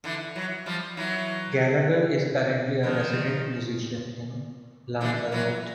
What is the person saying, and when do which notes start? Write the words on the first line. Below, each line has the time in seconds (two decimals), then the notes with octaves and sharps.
Gallagher is currently a resident musician in Lanzarote.
0.04 D3 E3
0.36 E3 F#3
0.66 F3 G3
0.97 E3 F#3
2.83 D#3 F3
5.01 D3 E3
5.32 E3 F#3